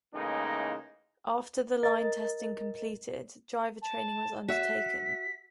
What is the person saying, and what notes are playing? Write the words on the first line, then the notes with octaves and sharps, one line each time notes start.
After the line testing completed, driver training was undertaken.
A2 C#3 E3 G#3 A#3 D#4
A#4 D#5 A6
A5
F#4 E5 B6